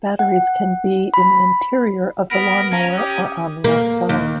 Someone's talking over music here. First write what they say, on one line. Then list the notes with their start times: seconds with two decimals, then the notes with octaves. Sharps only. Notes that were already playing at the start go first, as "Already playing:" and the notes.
Batteries can be in the interior of the lawn mower or on the outside.
0.19 F#5
1.14 B5
2.31 B3 A#4 B5
2.73 C#4 A#5
2.97 G4 D#6
3.64 A#3
4.09 D#2